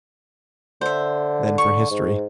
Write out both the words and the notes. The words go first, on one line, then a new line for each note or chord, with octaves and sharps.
than for history.
D3 C5 E5
C#6
G#2